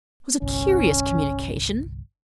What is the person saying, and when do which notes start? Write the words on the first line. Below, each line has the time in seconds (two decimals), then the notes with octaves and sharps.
It was a curious communication.
0.42 G1 C2 C#4